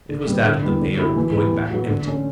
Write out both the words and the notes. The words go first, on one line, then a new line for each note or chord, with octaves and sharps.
It was that of the mayor, going back empty.
D3
G3 B3
D3
G3 B3 E4
D3
F#3 A3 E4 G4
E3
B3 E4 G4
A2
F#3 B3 F#4
D3
A3 C#4